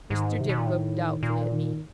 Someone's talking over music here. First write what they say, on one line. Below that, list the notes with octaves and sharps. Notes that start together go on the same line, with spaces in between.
Mr. Dick looked doubtfully at me.
G#2 D#3
C3 D#3
B2
A#2
A2
A#2
D#3